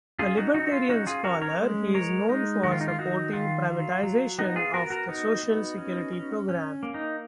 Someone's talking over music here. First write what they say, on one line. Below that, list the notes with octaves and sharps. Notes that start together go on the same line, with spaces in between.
A libertarian scholar, he is known for supporting privatization of the Social Security program.
C#4 F4 G#4
D#4 F#4
F#3 D#4 F#4
F4
C#4 D#4 F#4
F4 G#4
C#4 F#4 A#4
A#4 C#5
G#3
G#3 A#4 C#5
G#3 D#4
D#3 F#4
F4
D#4
F4
F#3 D#4 F#4
D#3 F4
F#3
F#3
B3 D#4 F#4
F4 G#4
B3 F#4 A#4
F#4 A#4
B3 D#4 F#4
B3
C#4
C#4
C#4
A#3
D#4